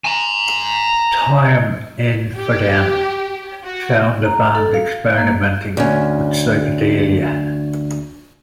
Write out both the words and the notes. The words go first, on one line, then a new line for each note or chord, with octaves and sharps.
Time In for Them, found the band experimenting with psychedelia.
G#5 A#5
G4
F#4
A#5
A4
F5
A#3
D2 C#4